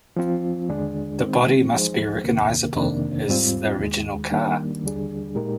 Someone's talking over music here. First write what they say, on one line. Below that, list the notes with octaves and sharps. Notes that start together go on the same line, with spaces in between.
The body must be recognizable as the original car.
F3 C4 F4
D#2 D3 G#3 D4 G#4
D#3 G#3 C4 D#4
F3 G#3 D#4 G#4 C5
C2 C3 D#3 A#3
F2 C3 D#3 A#3 D4
G#2 G3 C4 F4
D#2 D#3 G#3
D#3 G3 A#3 D4
D#2 D3 G3 D4 G#4
A#2 G#3 D#4 G4 A#4